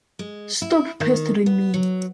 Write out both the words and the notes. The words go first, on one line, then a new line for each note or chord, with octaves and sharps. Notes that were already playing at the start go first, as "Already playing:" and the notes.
Stop pestering me!
G#3
E4
D#3
B3
F#3